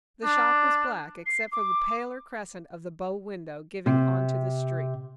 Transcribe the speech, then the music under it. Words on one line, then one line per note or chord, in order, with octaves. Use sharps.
The shop was black except for the paler crescent of the bow window giving onto the street.
D4
C7
D6
C3